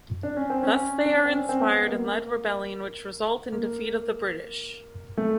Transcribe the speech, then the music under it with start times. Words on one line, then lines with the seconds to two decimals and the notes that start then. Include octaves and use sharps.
Thus they are inspired and led rebellion which result in defeat of the British.
0.23 D4
0.36 C#4
0.50 C4
0.63 C#4
1.06 D4
1.25 C4
1.33 C#4
1.49 C4
1.60 B3
1.88 A#3
3.52 A#3
5.17 A3